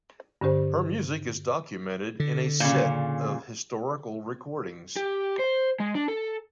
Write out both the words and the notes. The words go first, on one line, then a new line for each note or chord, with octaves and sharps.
Her music is documented in a set of historical recordings.
G2 D3 C#4 G4 C5
D3
A#2 C#3
G4
C5
G#3
D4
A4